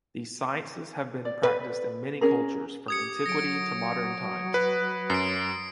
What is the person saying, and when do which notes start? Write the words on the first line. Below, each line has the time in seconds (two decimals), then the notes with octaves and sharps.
These sciences have been practiced in many cultures from Antiquity to modern times.
1.25 D5
1.43 B4
2.21 C#4 G#4 A#4
2.88 G4 D#6 G#6 C#7
3.26 F#3 A#6 D7
4.54 B4
5.10 F#2 C7 D7